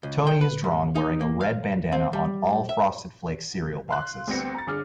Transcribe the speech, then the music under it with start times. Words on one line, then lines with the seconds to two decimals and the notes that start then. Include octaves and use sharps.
Tony is drawn wearing a red bandana on all Frosted Flakes cereal boxes.
0.03 C#2
0.27 G5
0.41 B4
0.64 G#2
0.95 D#4
1.21 A#3
1.41 F5
1.92 C4
2.13 G3
2.69 E5
3.89 F5 C6 F#6
4.27 D2 G3 B3 C4 A#6 C#7
4.55 A#5 A6
4.67 G1 D3 G#4 D6 F6